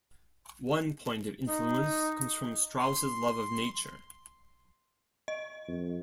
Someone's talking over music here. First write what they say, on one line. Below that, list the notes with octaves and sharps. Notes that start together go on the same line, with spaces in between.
One point of influence comes from Strauss's love of nature.
D#4
C6
D#5
F2